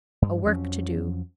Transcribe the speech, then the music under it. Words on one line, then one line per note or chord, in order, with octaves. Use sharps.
A work to do.
G2
F2 F3 F#3 C#4